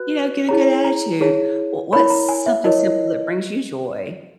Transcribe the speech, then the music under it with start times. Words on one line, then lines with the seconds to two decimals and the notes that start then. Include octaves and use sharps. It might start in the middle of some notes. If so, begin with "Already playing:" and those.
you know, get a good attitude. W what's something simple that brings you joy?
Already playing: F#4 B4 F#6
0.48 E4 G#4 C#5 A#5
0.85 A#5
1.21 E4 G#4 C#5
1.93 E4 A#4 C#5 B5
2.10 A#5
2.29 G#5
2.46 E5
2.64 E4 A#4 C#5 D#5